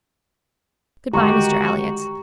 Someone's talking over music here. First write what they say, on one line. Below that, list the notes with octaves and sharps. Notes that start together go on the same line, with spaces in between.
"Good-bye, Mr. Elliott."
D3 D#3 G#3 F#4 G4 A#5 C#6